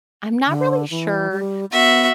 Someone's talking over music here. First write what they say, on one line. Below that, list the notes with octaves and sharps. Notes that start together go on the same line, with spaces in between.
I'm not really sure.
D3
E3
G3
B3 F#4 E5